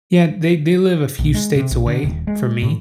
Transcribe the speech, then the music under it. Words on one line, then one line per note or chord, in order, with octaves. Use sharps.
Yeah, they they live a few states away from me.
A#1
G#3
C3
A#1
D3
D#1
G#3
A2